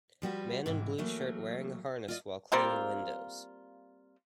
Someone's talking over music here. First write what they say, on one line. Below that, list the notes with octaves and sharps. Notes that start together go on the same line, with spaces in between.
Man in blue shirt wearing a harness while cleaning windows.
F3 G3 F#4 B4
G#2 C3 E3
E3 F#3 A3 A#3
F4 D5 D#5
G3 A#3 C4 F4